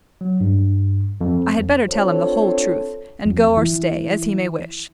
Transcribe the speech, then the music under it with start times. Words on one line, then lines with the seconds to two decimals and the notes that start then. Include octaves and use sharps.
I had better tell him the whole truth, and go or stay, as he may wish.
0.21 F#3
0.40 G2
1.21 F2
1.87 C4 D4 F4 A4 C5 C#5
3.25 F2
3.57 E3